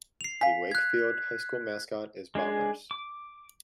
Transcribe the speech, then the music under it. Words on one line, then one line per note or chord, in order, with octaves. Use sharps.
The Wakefield High School mascot is Bombers.
C7 F7
F5 G#5 B6
F#6 G#6
G#3 D4 G#4
D6